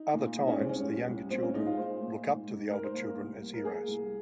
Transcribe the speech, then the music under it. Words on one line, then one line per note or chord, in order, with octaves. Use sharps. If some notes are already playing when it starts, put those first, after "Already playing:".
Other times the younger children look up to the older children as "heroes".
Already playing: D#4
A#2
G#3 D#4
C#4
C2 C4
C#4
C2
C2
A#2 C4
C#4
G#3 D#4
F4
A#2 C5
A#2
G#2
G#2
G#2 A#4
C5
A#3 A#4
C2
A#3
A#4
A#3 G#4
C2